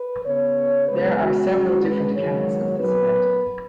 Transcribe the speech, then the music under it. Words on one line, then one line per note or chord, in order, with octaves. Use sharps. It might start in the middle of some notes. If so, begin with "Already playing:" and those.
There are several different accounts of this event.
Already playing: B4
C#3 B3 C#5
C#3 G#3 B3 B4
F#4
G#2 G#3 C#4
B4
G#2 D#3 F#3 C#5
F#2 F#3 B3 B4